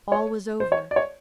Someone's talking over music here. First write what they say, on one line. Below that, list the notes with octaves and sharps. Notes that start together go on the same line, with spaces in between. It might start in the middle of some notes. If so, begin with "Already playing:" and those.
All was over.
C#5
C5
C#5
D5
C#5